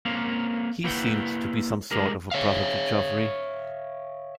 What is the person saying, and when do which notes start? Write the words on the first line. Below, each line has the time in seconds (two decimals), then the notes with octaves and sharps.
He seemed to be some sort of a brother to Geoffrey.
0.05 A#3 C4 C#4 F5
0.84 A#3 E4 B4 F#5 G5
1.91 G#3 G4 G#4 A#4
2.31 C#5 E5 F5